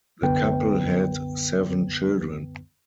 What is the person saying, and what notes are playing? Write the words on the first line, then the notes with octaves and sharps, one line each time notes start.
The couple had seven children.
C2 F#2 D3 B3 B4 G5